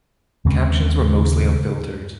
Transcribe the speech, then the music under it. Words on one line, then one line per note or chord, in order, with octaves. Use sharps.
Captions were mostly unfiltered.
D#2 C#3 G#3 C4